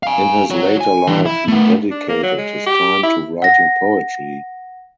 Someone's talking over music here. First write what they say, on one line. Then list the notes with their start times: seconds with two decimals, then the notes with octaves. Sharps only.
In his later life he dedicated his time to writing poetry.
0.03 F5 G#5
0.50 F#4 C#5
0.81 G#5
1.07 D3 E3
1.26 E4
1.48 A3 B3
1.91 D4
2.09 A#3
2.23 F#3
2.38 G#3
2.67 G4
3.03 E4
3.42 F#5 A#6